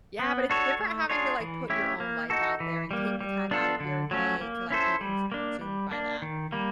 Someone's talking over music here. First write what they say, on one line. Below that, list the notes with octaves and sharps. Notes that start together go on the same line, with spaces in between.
Yeah, but, it's different having to, like, put your own life out there and take the time out of your day to, like, be consumed by that.
B3
D4 F#4 A4 C#5
A3
D4 F4 G#4 C#5
E3
A3 C#4 E4 G4
A#3
D#4 F#4 A4
E3
G3 A#3
G3
B3 D4 F4 A4
D3
F#3 A3 C#4
A#3
C#4 E4 A4 C5
G3
A#3 D4
G3
A#3 D4
D#3
G3 A#3